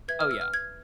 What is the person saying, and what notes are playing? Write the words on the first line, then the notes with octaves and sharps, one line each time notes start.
Oh, yeah.
B4 E5 G#6
F6
E6
F6
G#6